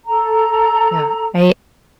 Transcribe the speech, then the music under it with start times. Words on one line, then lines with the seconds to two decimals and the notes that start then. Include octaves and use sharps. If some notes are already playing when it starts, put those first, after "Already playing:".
Yeah, I
0.05 A4 A#5